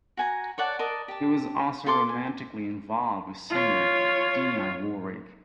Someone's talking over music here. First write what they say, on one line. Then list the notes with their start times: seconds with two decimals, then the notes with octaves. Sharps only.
He was also romantically involved with singer Dionne Warwick.
0.17 F#4 G#5 A#5
0.58 C#5 D5 F#5 A5
0.79 A#4 D5 D#5 A5
1.08 G4 A5
1.86 F4 A4 C6 D6
2.09 G#5
3.50 F4 C#5